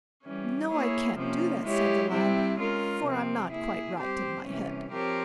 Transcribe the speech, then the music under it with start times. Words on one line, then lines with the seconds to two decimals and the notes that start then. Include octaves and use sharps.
'No, I can't do that', said the lad; 'for I'm not quite right in my head.'
0.24 E3 G3 C#4
0.71 A#3 E4 G#4 C#5
1.18 C3 F3 A#3 C#4
1.65 G#3 E4 G4 C#5
2.11 C3 G3 C4 E4
2.58 G#3 C#4 F4 A#4
3.05 C3 F3 C4
3.51 A#3 E4 G#4
3.98 G3 C4 G4 C5
4.44 C3 E3 G3 C#4
4.91 F3 C4 G4 A#4 C#5